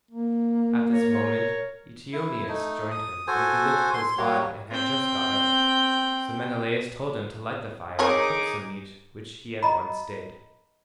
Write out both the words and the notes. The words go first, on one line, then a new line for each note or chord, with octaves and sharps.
At this moment Eteoneus joined him, for he lived close by and had just got up; so Menelaus told him to light the fire and cook some meat, which he at once did.
A#3
A#4 C#5
E4
A3 D#4
D#6
F#4 A4 C5 G#5
C6
G3 A#3 F#4 C#5
C4 G5
C4 D#4 G#4 A#4 C#5 D6
D#5 A#5 B5